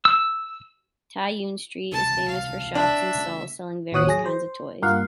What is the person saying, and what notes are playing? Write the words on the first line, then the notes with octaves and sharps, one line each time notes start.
Tai Yuen Street is famous for shops and stalls selling various kinds of toys.
E6
C#2 C3 E3 A5
F5
D4 E5
C#3 A3
A1 D#2 F#4 C#5 D#6 F#6
F#3 G#4 A#6
C5
G2 A#3 F4 F5 F#5